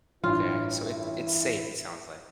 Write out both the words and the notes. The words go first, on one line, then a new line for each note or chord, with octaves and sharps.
Okay. So it it's safe, it sounds, like.
A1 G2 E4 F4